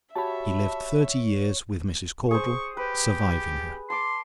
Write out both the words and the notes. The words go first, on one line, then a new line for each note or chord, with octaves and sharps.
He lived thirty years with Mrs. Caudle, surviving her.
F#4 G4 C#5 E5 A5 B5
G#4 C5 C#6
G4 B4
A5 C6 D6